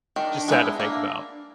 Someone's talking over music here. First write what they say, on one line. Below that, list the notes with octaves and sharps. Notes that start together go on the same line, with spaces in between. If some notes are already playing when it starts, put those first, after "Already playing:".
just sad to think about.
D#3 D4
G#3 B3 E4
A#3 D4